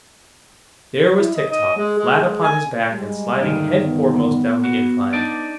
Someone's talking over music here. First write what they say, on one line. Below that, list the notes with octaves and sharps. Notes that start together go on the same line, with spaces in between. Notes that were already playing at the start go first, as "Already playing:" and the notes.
There was Tik-Tok, flat upon his back and sliding headforemost down the incline.
E4
D#5
D#5
G#3
G#3
G#3
G#5
G3 G#3
D2 G2 D#3
B3
F#4
D4 D#4 D5